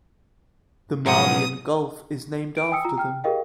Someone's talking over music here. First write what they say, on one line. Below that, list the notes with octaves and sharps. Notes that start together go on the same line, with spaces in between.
The Malian Gulf is named after them.
B1 G#2 F3 A#4 F#5 D#6
D7
G5 G#5 D#6 E6 C#7
F4 A#5
G5 F6
G4 G#4 A#4 D#5 F5 G5